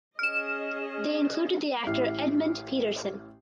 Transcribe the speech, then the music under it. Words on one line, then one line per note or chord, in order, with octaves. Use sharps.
They included the actor Edmund Petersen.
C#4 G#4 D#5 F6 E7
A1 A2 E4 G4 F6 C7